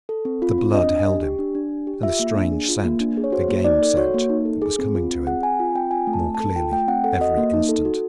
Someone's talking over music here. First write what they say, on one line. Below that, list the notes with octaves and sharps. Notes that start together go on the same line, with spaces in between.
The blood held him--and the strange scent, the game scent--that was coming to him more clearly every instant.
A4
C4
F4
C4
D4 D#5
D4
G4
G4
D4
D4
G4
G4
F4 E5
A#3
D4
G#4
F4
A#3
D4
G#4
C#5
F#4 C5
A#3
D#4 D5
A4
F#4 C#5
A#3
D#4
A4
G#4
C4
F4
C4
G#4 F#5
C4 G#5
F4
C4 G5
F4 G#5
A3
A5
C4
A5
A4
F4 G5
A3 G5
C4 F#5
A4 F#5
F#4 D#5
A#3
D#4
A4
F#4